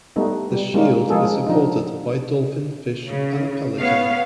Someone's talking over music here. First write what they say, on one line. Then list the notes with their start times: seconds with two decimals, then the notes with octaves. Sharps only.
The shield is supported by a dolphin fish and a pelican.
0.16 G3 A3 B3 D#4
0.52 G3
0.74 G3 G#3 A#3 C#4
1.09 F3 G#3 A#3 G#4 A4
1.46 F3 D4 D#4
3.07 C#3
3.80 B3 C#5 F5